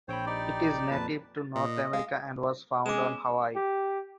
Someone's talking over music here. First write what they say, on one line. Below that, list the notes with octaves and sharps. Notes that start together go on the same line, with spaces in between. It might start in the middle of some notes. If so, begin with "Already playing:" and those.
It is native to North America and was found on Hawaii.
A#1 C4 C5 C#5 G5 B5
D#4 G4 D5
F2 A#2 B4 A5
A6
A#2 D#5
G#3 F5
G#3 B3 C#4 G#4 D6 E7
G4